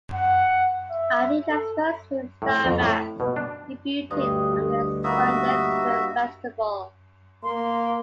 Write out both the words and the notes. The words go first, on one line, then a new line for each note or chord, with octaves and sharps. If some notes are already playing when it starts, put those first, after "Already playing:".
Arteta's first film, "Star Maps", debuted at the Sundance Film Festival.
F#5
E5
A4
A2
F2
A2
B2
D4
D2 G2 D#5
A#3 E4 F#4 D#5 E5
A#3 C6